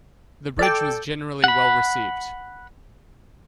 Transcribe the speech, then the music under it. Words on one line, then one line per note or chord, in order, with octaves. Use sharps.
The bridge was generally well received.
A4 D5 G5
F#5 B5